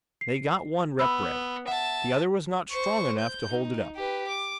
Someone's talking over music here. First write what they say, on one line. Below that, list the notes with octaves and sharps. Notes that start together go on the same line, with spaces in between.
They got one rep ray. The other was not strong enough to hold it up.
C7
B3 B5 E6
E5 F#5 A5
C5 C#6
G6
D#4
G4 B4
D6